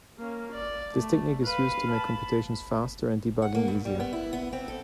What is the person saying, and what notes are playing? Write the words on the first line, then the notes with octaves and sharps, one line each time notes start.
This technique is used to make computations faster and debugging easier.
A#3 C#4
D5
A3
B4 F5
A5 B5
F#5
A#3
G2
G3
B3
E4
B3
C4
A4